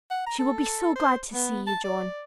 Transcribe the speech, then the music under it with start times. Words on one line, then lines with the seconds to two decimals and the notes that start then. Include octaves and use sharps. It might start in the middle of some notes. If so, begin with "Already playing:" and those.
She will be so glad to see you, John!
0.11 F#5
0.26 A#5
0.39 A4
0.95 C5
1.34 B3
1.67 A5
1.84 D5